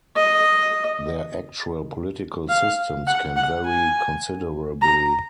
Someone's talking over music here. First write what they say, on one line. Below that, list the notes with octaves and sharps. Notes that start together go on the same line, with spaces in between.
Their actual political systems can vary considerably.
D#5
F5
F#5
F#5
G#5
A#5